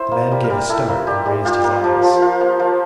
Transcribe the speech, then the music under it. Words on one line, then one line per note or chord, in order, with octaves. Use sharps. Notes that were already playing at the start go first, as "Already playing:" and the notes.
The man gave a start and raised his eyes.
Already playing: E4 C5
A#3
G3
A#4
G3
E4 A4
A#3
G3 G4
G3
F4 G4
A#3
F3
F3
F4
A#3
F3